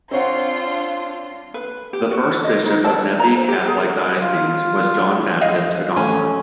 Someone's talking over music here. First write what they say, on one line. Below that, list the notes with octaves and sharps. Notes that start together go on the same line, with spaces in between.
The first bishop of Nebbi Catholic diocese was John Baptist Odama.
C4 D4 F4 C#5 F#5 C6
B4
G4
F#4
D#5
D#4
A5
A#5
C5
G4
G#4
F4
F2 G#4 D#5 F5
A3 C#4 G#5